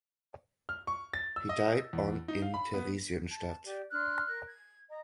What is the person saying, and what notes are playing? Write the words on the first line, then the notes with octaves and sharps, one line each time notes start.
He died on in Theresienstadt.
F6
C#6
A6
E6
D#5
E2
D#4
F5
B5
B3
A5
G4 D5
D4 C6 F6 F#6
A#4 F#6
G#6
D#5 A#5